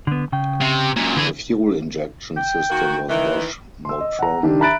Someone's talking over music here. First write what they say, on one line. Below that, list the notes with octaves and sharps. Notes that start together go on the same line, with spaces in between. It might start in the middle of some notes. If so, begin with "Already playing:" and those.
The fuel injection system was Bosch Motronic.
D3 B3
C#3 G5
C3
F#2 A#2
D3 E3 G#4
G5
D#3 A#3 F#4
D#3 E3
C6 E6
D#5
F#5 A#5
D#3 D4 G4
E5 A#5 B5 F#6 A6 D7